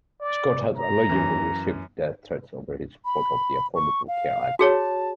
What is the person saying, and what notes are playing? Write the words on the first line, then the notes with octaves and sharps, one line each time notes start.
Scott has allegedly received death threats over his support of the Affordable Care Act.
D5
A#5
F#2 E3
B5
C#6
F5
F#4 G#4 C#5 A5